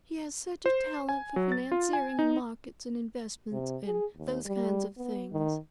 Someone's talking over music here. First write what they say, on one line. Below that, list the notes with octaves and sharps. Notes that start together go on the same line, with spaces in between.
He has such a talent for financiering and markets and investments and those kind of things.
C5
G#5
F#3
A6
F4
G#5
D#4
C3
G#4
D#2
G3
B3
D#3